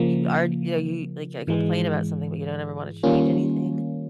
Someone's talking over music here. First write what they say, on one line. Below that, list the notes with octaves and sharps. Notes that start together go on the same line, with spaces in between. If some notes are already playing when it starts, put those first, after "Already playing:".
you are you know y you like, I complain about something, but you don't ever wanna change anything.
Already playing: C#3 F3 A#3
G#2 E3 G#3
D#3 G3 A#3 C#4 F4